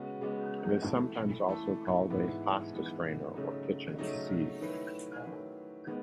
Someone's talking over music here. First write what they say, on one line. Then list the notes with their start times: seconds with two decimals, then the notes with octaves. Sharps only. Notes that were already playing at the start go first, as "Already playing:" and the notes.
It is sometimes also called a pasta strainer or kitchen sieve.
Already playing: C#3 G#3 B3 F#4
0.21 C#3 G#3 B3 F#4
0.84 E3 A3 E4 A4
1.47 E3 A3 E4 A4
2.10 G#2 E3 B3 E4
2.72 G#2 E3 B3 E4
3.35 C#3 F#3 A3 D#4
3.98 C#3 F#3 A3 D#4
4.61 D#3 F#3 A3 E4 B4
5.24 D#3 F#3 A3 E4 B4
5.87 D#3 G#3 B3